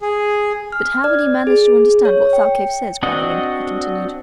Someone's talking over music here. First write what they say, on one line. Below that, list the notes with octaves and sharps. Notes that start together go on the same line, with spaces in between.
"But how will you manage to understand what Thalcave says, Glenarvan?" he continued.
G#4
F6
D5
G#4
C#5
G5
C4 D4 F#4 D#5 F#5